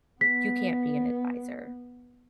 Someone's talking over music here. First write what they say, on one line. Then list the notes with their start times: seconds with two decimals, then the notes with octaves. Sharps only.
you can't be an adviser."
0.21 B3 B6